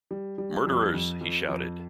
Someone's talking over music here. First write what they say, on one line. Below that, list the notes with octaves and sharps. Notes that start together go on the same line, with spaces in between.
"Murderers," he shouted.
G3
G3
F2
F2
F2
F2